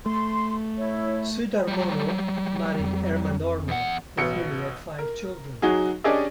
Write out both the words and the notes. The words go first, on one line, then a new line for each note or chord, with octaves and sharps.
Sudharmono married Erma Norma, with whom he had five children.
A3 C6
E4 C#5
F#3 G3
F2
E2 F#5
A1 B2 C#7
A#4
F#3 D#4 F#4 G#4
C#4 D4 G4 G#4 D5 D#5